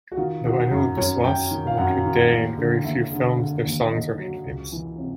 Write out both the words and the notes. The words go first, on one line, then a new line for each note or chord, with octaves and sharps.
Though Anil Biswas worked with Dey in very few films, their songs remain famous.
F#4
D#3 F4
D#3 F#4
F#2
F#2 C#5
F#2 G5
D#3
F5
F#2 F#5
D#3
D#2
D3
D#2 E5
D3
D3
D#2
D#2 D#5
F#3
C#2
E3
C3